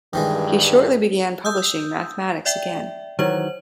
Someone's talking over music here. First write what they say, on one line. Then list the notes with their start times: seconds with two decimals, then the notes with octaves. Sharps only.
He shortly began publishing mathematics again.
0.13 G2 D#3 E3 G#3
1.45 D#6 E6 G6
2.46 D5 E5 G5
3.19 D#3 E3 F#3 C5 F#7